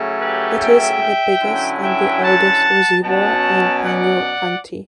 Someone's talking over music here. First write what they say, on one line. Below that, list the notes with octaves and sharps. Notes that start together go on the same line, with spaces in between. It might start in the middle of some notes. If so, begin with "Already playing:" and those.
It is the biggest and the oldest reservoir in Penghu County.
Already playing: C#3 F#3 A3
G4 B4
E5 G5
D3 F#3 C#4 E4
E5 G5
F#5 A5
B2 F#3 C#4 F#5 A5
D5 F#5